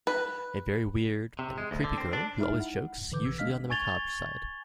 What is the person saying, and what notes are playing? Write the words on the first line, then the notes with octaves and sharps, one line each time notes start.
A very weird, and creepy girl who always jokes usually on the macabre side.
B4
C3
G#3
D2
D3
C4
D4
G#3 D#4 E4 E5 B5 F6
F#5
G#2 D3 E3 B4 D6 G6
A1 E6 G#6
G#3 D4 D#5 F5 F6 B6
G#5 C#6 G#6 A6 F7 G7